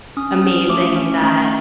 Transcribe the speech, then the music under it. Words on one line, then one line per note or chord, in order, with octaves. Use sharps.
amazing that
C#4 D#6
C#4
A3 D6
C#4
A3